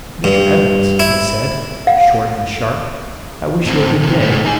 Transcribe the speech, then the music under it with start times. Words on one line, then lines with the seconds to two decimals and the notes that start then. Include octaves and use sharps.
'Mr. Evans,' I said, short and sharp, 'I wish you a good day.
0.24 G2
1.00 E4
1.87 F5 F#5
3.66 A2 C4
4.01 C3 D#3
4.20 G#2 A3
4.45 D#4 G#4